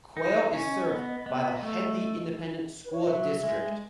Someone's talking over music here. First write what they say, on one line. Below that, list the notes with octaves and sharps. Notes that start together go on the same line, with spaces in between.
Quail is served by the Hedley Independent School District.
D#4 D#5
C#4
B3
B3
A3
B4
C#5
D#5
F#3 E5
G#3